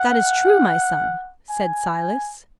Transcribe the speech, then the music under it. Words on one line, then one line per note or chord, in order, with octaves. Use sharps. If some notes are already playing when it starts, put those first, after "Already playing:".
"That is true, my son," said Silas.
Already playing: F#5
G#5